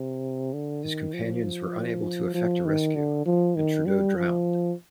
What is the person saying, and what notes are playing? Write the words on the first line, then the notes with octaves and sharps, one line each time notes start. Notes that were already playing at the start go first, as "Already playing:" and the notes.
His companions were unable to effect a rescue, and Trudeau drowned.
Already playing: C3
D3
D#3
F3
F3
D#3
D3
F3
D#3
G3
F3